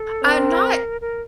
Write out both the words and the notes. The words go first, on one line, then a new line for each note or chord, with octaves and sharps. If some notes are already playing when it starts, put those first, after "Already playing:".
I'm not
Already playing: A4
C4 A#4
A#4